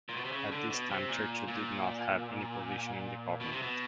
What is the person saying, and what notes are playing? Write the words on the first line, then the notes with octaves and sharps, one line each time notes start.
At this time Churchill did not have any position in the government.
A#2
B2
C3
C#3
D3
B2
C3
A#2
A#2
B2
C3
B2